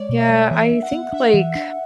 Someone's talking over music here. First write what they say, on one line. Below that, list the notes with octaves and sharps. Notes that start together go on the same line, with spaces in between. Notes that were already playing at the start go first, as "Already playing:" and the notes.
Yeah, I think like
Already playing: G#3 C#5 D5
B2
E5
G#3
E3 E5
D4
F#5
B3
D4 E5
E3
D4